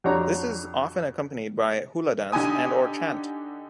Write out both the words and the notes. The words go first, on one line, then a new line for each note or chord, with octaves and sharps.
This is often accompanied by hula dance and or chant.
F2 G3 D4 F#4 C#5 A#5
D3 D#4 G4 G#5 D#6